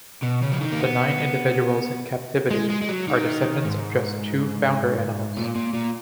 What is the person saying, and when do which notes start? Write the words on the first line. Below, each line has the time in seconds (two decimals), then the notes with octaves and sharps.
The nine individuals in captivity are descendants of just two founder animals.
0.23 B2
0.43 C#3
0.52 F3
0.61 D#3
0.72 A#3
0.80 B3
2.51 G#3
2.69 G#3
2.82 G#3
2.88 F#3
3.08 D#3
3.65 G#2
5.37 A#2
5.55 A#2
5.73 A#2